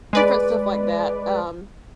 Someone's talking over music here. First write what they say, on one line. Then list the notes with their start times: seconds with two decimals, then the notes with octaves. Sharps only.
different stuff like that, um
0.13 G#3 B4 D5